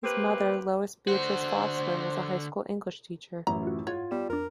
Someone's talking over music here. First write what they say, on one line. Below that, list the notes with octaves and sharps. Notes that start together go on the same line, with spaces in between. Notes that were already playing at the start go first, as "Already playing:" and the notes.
His mother, Lois Beatrice Fossler, was a high school English teacher.
A#3 C4 G4 B4
D3 F#4 C5
A1 F#2 E4 A#5
F4 F#4
G#2 F4 C#5 F#5 G#6
G3 B3 E7
F2 D4 A#4